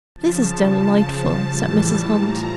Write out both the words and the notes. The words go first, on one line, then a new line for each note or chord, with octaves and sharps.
"This is delightful," said Mrs. Hunt.
C#3 F3 A5
C#3 F3 A5
A2 E3 G3
A2 F3 A#5